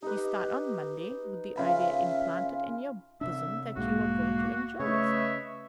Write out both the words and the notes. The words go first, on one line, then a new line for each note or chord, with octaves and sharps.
You start on Monday with the idea implanted in your bosom that you are going to enjoy yourself.
D#4 G4 B4
C#3 F4 E5 B5
C3 D4 E5
B1 G#2 G#3 A#3 F#4
C#3 A3 B4 C#5 D#5 E5